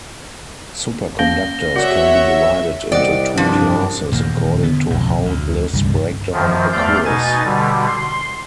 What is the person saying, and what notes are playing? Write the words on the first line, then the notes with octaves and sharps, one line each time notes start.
Superconductors can be divided into two classes according to how this breakdown occurs.
A#3 C#4 F5 A#6 G7
F#4 A#4 C#5 D5 E5 F#5
C2 C4 D5 D#5 F#5
G2 F3 D4
D#1 E2 A#3
D3 B3
B1 F2 A2
D2
C2 G2 D3
F#2 D#3 F3
E2 A3 D5 F5 G6
B2 D#4 G#5 A6
B2 D3 G3
C6